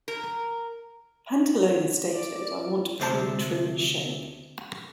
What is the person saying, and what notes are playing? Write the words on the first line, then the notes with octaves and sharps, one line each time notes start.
Pantalone stated I want to prune, trim and shape.
A#4
D5
D2 C3 C5 A5